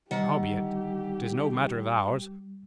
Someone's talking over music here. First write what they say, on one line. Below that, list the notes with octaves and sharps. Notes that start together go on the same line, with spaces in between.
Howbeit, 'tis no matter of ours.
D3 D#3 G3 G4 F#5